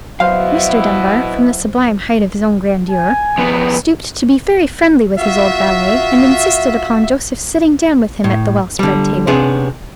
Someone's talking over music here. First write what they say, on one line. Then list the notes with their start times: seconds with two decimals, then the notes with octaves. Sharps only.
Mr. Dunbar, from the sublime height of his own grandeur, stooped to be very friendly with his old valet, and insisted upon Joseph's sitting down with him at the well-spread table.
0.20 B2 F#3 E4 C5 F5
2.89 G#5
3.38 F2 B3
5.19 F4 F#4 E5
8.24 A2
8.79 D3 G3
9.27 C3 B3 C#4 D4 G#4